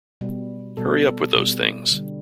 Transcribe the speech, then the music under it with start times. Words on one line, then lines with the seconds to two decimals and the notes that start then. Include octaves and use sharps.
Hurry up with those things.
0.21 B2 G3
0.77 B2 G3 A4
1.35 B2 G3
1.91 D3 G3